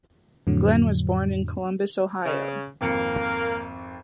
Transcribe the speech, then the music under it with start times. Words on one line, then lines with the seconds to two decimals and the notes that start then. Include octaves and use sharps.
Glenn was born in Columbus, Ohio.
0.47 F2 A2 D3 F#3
2.24 C#3
2.81 G#1 F2 A#3 C#7